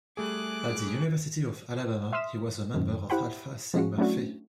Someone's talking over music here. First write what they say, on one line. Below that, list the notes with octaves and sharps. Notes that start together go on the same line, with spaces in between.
At the University of Alabama he was a member of Alpha Sigma Phi.
G3 A3 G#4 D6 F#6
E5 C6 D#6 F6 B6 E7
F#2 D#3
E4 G4 C5 F#5 G5 B5
F3 G#3 C#4 F#4
F#3 A3 C#4 D4 E4 F#4